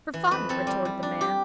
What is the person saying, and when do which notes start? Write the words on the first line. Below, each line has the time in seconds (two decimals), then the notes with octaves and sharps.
"For fun," retorted the man.
0.14 E3
0.31 F2 B4
0.49 C4 A4
0.67 G3
0.85 G3
1.03 D4
1.21 G4